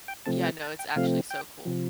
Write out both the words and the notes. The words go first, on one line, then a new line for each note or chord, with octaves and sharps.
Yeah, no, it's actually so cool,
G5
C3 F3 A3 C4 A5
G5
A5
G5
C3 F3 A3 C4 F5
G5
C3 F3